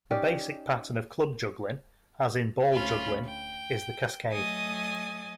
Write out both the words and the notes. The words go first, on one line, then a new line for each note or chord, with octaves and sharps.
The basic pattern of club juggling, as in ball juggling, is the cascade.
C#4 D#4 G4 D5
D2 C#4 F4 B5
G5
F#3 A3 D#5 G#5 D#6 A6